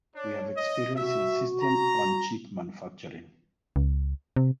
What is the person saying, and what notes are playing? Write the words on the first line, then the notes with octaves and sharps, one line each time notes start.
We have experience in system-on-chip manufacturing.
D4 C#5
D#5
F#4 E5
A#5
C#2
C3